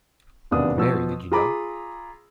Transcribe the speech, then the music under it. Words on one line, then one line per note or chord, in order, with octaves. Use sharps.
Mary, Did You Know?
E1 D#2 C3 B3 D4 D#6
B2 F3 E6
F4 G#4 A#5 B5 D6